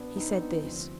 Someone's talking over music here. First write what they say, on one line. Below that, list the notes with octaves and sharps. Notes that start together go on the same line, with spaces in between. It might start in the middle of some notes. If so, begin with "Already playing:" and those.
He said this.
Already playing: C2 B2 B3 D4
C4 D#4
B3 D4
D2 C3 F3 C4